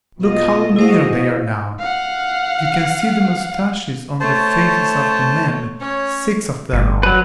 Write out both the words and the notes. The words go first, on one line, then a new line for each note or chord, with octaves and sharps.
Look how near they are now!-- You can see the mustaches on the faces of the men--six of them.
B2 F4 D#5
E4 F#4 G#4 C5 D#5 F5
F5 F#5
A3 C5 C#5 A5
C#4 C#5
G1
F#3 B4